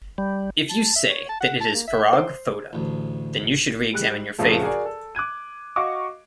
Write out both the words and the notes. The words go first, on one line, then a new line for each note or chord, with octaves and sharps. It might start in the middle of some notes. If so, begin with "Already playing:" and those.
If you say that it is Farag Foda, then you should reexamine your faith.
G3
A5
E5
C#5
A5
F#5
A5
A#3
E5
C5
A1 D2
G3 G#3 F#6
A#1 F#2 C#3 F3 A3
F#4 G#4 A#4 D5 G#5
A4
D6 F#6 G#6 D#7
F#4 D#5 F5 C#6 D6